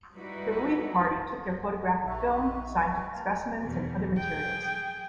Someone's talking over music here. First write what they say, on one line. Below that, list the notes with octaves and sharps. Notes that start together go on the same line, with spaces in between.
The relief party took their photographic film, scientific specimens, and other materials.
G3 D#4 E4 F#4 B4
F#4
A#1 D#4 G4 B4 D#5 E5 C#6
G4 B4
A#3 F5 G5 A5 A#5 F6 G#6
E2 B2
G#4 G5